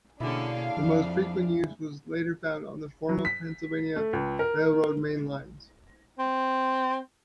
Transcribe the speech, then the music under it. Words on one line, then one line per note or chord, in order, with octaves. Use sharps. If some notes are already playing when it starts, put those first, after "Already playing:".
The most frequent use was later found on the former Pennsylvania Railroad main lines.
B2 D3 A#3 C#4 D4 E4 G#4 F5
F2 F3
F#3
B6
A3
C#2
A#4
C4